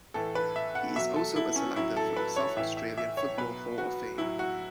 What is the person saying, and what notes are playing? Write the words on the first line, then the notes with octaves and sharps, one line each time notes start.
He is also a selector for the South Australian Football Hall of Fame.
A2 E3 A4
B4
E5
F#5
B2 F#3 E5
A4
E4
C#4
A2 F#3 E4
A4
B4
C#5
A2 E3 E5
E5
E5
C#5
B2 F#3 B4
F#4
A2 F#3 E4
F#4